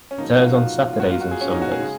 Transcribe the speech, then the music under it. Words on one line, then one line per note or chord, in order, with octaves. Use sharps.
It airs on Saturdays and Sundays.
C#4
F2 C#3 F#3 A#3 D#4
F4
F#4
F4
F4
G#1 G#2 F#3 A#3 F#4
F4
F#4
G#4
C#4
D#4
F#4
G#4
C#3 G#3